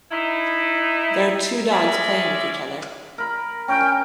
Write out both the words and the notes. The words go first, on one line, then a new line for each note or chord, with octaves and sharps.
There are two dogs playing with each other.
D#4 E4
G#3 C#4 D5 E5
A#4 B5
C#4 A#4 G5